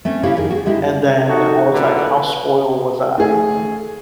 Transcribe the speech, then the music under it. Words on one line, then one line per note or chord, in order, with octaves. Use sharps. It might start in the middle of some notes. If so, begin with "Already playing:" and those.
and then I was, like, "How spoiled was I," you know.
A3 C4 C#4
C#3 E4 G4 C#5 F5
F2 D#3 G#4
F#4 G#4
D3 G#3 E4 G4
A#1 D#4 F#4 A4
E2 A#2 D3 F#3 B4
A3 G#4